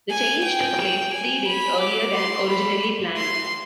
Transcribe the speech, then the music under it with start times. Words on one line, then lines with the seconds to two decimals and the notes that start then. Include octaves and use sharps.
The change took place three days earlier than originally planned.
0.10 G#5
0.44 G5
1.13 G#5
1.47 B5
1.80 D6
2.15 C6
2.49 B5
3.17 C6